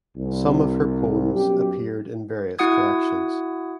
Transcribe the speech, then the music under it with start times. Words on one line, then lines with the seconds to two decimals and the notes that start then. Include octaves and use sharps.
Some of her poems appeared in various collections.
0.16 C2
1.34 F#2 B2 G4
2.59 E4 F#4 F#5 D#6 G#6